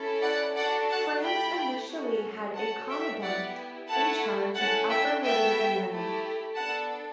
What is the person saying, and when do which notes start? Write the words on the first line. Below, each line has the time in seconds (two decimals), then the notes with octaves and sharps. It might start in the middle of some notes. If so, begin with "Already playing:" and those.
France initially had a commandant in charge of Upper Louisiana.
Already playing: C#4 E4 A4
0.22 D5 F#5
0.55 D4 F#4 A4 D5 F#5
0.88 F#5 A5
1.22 A3 E4 G4 G5 B5
1.89 C#4 F#4 A4
2.55 C#4 F#4 A4 F#5 A5
2.89 E5 G5
3.22 B3 E4 G4 D5 F#5
3.89 A3 E4 A4 F#5 A5
4.56 C#4 E4 A4 F#5 A5
4.89 E5 G5
5.22 B3 F#4 A4 E5 G5
5.89 A3 E4 G4
6.55 B3 D4 A4 F#5 A5